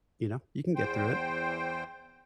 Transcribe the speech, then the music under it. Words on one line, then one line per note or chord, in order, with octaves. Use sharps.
you know, "You can get through it,"
E2 C5 G5